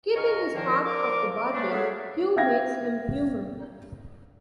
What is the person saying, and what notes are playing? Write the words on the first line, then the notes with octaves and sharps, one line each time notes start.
Keeping his part of the bargain, Q makes him human.
C#2 D#3 A#4 D#5 C#6 F6
D#2 A#2 D#3 F3 A#3 A#4
F3 D4 A#4 D6
E2 C#3 A3 A#3 D4
F#3 A3 G#4 C#5 E5 F5
E5 F5 G5 G#6 A#6